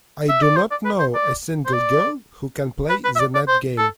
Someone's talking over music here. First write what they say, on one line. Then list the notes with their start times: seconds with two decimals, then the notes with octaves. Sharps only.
I do not know a single girl who can play the net game.
0.29 E5
0.42 D5
0.56 C5
0.71 D5
0.85 B4
1.00 C5
1.15 D5
1.66 C5
1.73 D5
2.90 B4
3.04 B4
3.16 E5
3.19 D5
3.35 D5
3.48 C5
3.78 A4